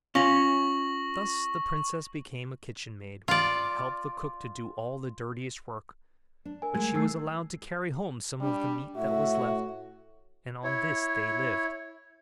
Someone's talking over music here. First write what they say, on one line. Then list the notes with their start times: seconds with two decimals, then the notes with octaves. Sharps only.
Thus the princess became a kitchen-maid, and helped the cook to do all the dirtiest work; but she was allowed to carry home some of the meat that was left, and on this they lived.
0.15 C#4 F4 C#6 A#6 F#7
3.28 F4 D5
6.45 D4
6.62 A#4 G#5
6.75 G#3 A3 G#4 G#6
6.94 D#3 A3 E4 E6 C7
8.41 G3 D4
8.96 A2 F#4 E5
10.64 E4 C#5